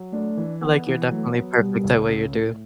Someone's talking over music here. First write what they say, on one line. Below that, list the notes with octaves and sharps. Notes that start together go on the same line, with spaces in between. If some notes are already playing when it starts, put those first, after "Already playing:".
I like you're definitely perfect the way you do.
Already playing: F#3
A3 D4
E3
B3
E3
F#3 A3
B3
B2 G3
C#2
C#4
A2